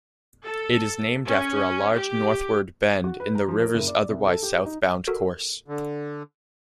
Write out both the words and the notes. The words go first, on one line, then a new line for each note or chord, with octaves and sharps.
It is named after a large northward bend in the river's otherwise southbound course.
A4
C#4
G4
F#4
B4
A#5
F3
A#4
F#1
D5
C2
A4
G4
D#4
F#4 A4 A#4
D3